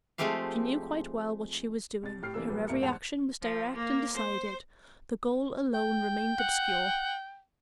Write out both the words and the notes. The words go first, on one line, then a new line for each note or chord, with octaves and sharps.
She knew quite well what she was doing, her every action was direct and decided, the goal alone remained obscure.
F3 G#3 A3 C4 G4 F5
C2 A6
A2 G4 F6 C7
C2 E3 A#3 E6
A#2 F3 G3 B3
C2 A2 A#3 E4 A#4 C#7
E2 G#2 C5 F#5 A5 F7
F3
A#3
C5
G5
F#5